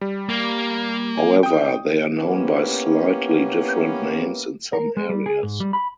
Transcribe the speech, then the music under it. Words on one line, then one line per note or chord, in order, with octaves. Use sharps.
However, they are known by slightly different names in some areas.
G3
A#3
G#5
G5 D#6
A#3 B3 C#4 E4 G4 B4
A#4
G#3
G3
G#4
G#2
G3
B5